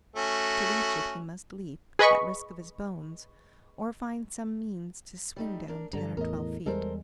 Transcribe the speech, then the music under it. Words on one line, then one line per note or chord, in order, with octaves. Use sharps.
To reach it he must leap, at risk of his bones, or find some means to swing down ten or twelve feet.
A3 C#4 F#4
G#4 B4 D#5 B5 C#6
G3 A3 D#4
D4 A#4
G2 D3 A4 A#5
E2 A2 A#4 D#5
E2 G3 G#3 A4 A#4 C5